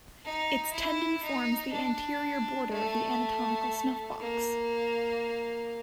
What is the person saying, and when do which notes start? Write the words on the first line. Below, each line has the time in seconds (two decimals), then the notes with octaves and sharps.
Its tendon forms the anterior border of the anatomical snuffbox.
0.25 D#4
0.73 E4
1.23 D#4
1.72 D4
2.71 A3
4.20 A#3